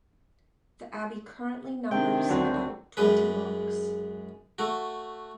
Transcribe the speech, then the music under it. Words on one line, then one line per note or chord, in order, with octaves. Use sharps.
The abbey currently numbers about twenty monks.
C3 D#3 D4 G5
D2 D3 F#3 C4
F#2 G#3 B4
A3 F#4